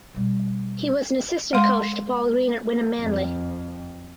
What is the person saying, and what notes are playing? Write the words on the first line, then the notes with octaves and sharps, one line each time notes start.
He was an assistant coach to Paul Green at Wynnum Manly.
B2 G3
G#3 F5 C6
F2